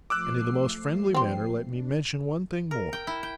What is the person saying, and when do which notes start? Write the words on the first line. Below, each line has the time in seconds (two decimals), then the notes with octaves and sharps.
And in the most friendly manner, let me mention one thing more.
0.10 F3 A3 D6 E6 F#6 C7
1.14 C4 G4
1.66 D4
2.71 A#4
2.93 G5
3.07 E4
3.23 G5